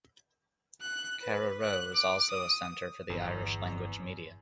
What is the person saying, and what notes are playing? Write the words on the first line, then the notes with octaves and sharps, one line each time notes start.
Carraroe is also a centre for the Irish-language media.
F#6
B4
F#6
D6
D#6
G1 E2